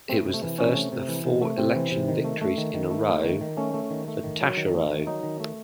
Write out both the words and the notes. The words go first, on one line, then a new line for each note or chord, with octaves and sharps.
It was the first of four election victories in a row for Taschereau.
A3 C4
C3
A3
E3
C3 C#4
A3
C3
E3
C3
A3
C3 C4
E3
C3
D#3
A3
A3
D#3
D#3
A3
A3
D#3
D#3
A3 C#4
A3
D#3
A3
D#3
F#3
D#3
A3
D#3
F#3 D#4
D#3
A3